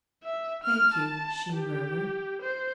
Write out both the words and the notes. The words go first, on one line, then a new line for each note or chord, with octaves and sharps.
"Thank you," she murmured.
E5
F6
A5
G4
C5